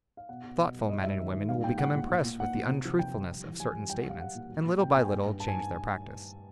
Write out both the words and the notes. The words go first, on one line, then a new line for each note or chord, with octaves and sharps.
Thoughtful men and women will become impressed with the untruthfulness of certain statements and little by little change their practice.
F5
B2 F#5
B2
B2
F#3
G#2 D#5
G3 E5
D#3
G#2
G3 F5
A#2 G5
G3 F#5
A#2
A#2
A#2
A#2 F#5
A#2
C3
F3
F3 G5
F3
G3
E3
G3 G#5
G3
G3 G5
F#5
G3 F5
G3 F#5
A#2
F#3
A#2
A#2 G5
A#2 G#5
G5
G2
G2
A5
G#5